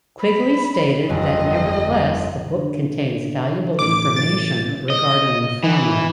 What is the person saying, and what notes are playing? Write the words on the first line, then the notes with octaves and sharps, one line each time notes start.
Quigley stated that nevertheless the book contains valuable information regarding the former.
B5
G1 F2 D#5 D#7
D3
A1 D6
A6
D#5
E3